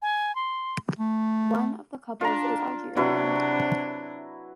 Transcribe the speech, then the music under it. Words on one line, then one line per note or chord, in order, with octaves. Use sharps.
One of the couples is Algerian.
G#5
C6
A3
D4 F4 A#5
C3 F#3 D4 E4 B4